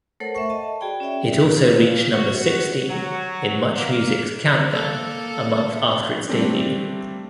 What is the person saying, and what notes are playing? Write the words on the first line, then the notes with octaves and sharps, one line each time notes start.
It also reached number sixteen in MuchMusic's "Countdown" a month after its debut.
A3 A4 A#4 C5 C#5 F#5
E5 C#6
D#5 A5
F#4 G#4 D5 G5 B5
C#4 C#5 D5 E5 G5
A#2
F#4
F#3
A#3
A#3 A4
G3 A3 A#3 C4 D4